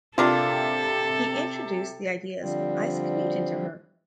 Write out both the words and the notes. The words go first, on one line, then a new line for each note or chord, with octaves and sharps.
He introduced the ideas of Isaac Newton to her.
C3 A#3 D4 F4 A4
D3 F3 G3 C4